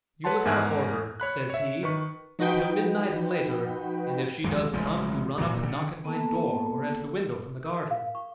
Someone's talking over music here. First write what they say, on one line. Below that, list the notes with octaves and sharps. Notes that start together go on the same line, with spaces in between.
You look out for her,' says he, 'till midnight and later; and if she does come, you run up and knock at my door or at the window from the garden.
B4 C#5 F#5 A5 C6
E2 G#2 A#4 G#5 F#6 G#6
C#5 B5 F#6
C#5 E5
D#3 B4 C#6
F3 D#4 F#4 B4 G5
D#2 F3 F#3 G#3
A1 C#3 F3 G#3
A#2 F#3
D3
A#3 B3 A4 A5
A#4
F5
C#6